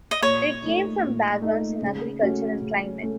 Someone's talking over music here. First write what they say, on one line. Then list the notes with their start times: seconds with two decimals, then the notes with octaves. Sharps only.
They came from backgrounds in agriculture and climate.
0.11 D#5
0.22 A#2 C#5
0.62 A3 D#4
1.02 A#2
1.42 A3 D#4
1.82 C#3
2.21 A3 C#4 F#4
2.62 C#3
3.01 A3 C#4